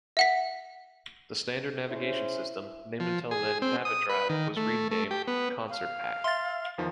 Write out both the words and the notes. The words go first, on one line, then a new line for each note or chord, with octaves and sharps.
The standard navigation system, named until then "NaviDrive", was renamed "Concert Pack".
E5 F#5 B6
C#4 E4 G#4 C5
F3
G#4
C4
D#6
B4
D#3
A3
A3
G4
B3
F5
E5 C6 A6
E2 D#3 F3